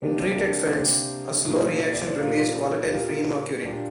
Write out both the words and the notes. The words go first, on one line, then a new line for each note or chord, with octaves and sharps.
In treated felts, a slow reaction released volatile free mercury.
C3 A#3 D4 G4
D4 G4
A#4
D4 G4
C3 A#3 G4 C5
A#2 G3 A#3
D5
C5
A#2 G3 A#3 F4 A#4
G4
A#2 G3 A#3 F4 A#4
A#2 G3 A#3 D4 G4